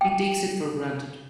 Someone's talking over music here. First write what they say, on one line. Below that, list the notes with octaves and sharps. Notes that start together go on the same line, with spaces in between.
He takes it for granted.
G5